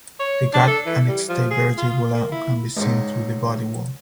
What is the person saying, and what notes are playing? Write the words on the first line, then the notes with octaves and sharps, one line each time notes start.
The gut and its diverticula can be seen through the body wall.
C#5
D4
A4
E3
G3
F3
G#4
F4
A#3
E4
C#2 G#2